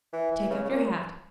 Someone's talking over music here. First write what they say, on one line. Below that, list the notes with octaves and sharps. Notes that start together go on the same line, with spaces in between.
Take off your hat.
E3
E3
C#3
C#3
A#2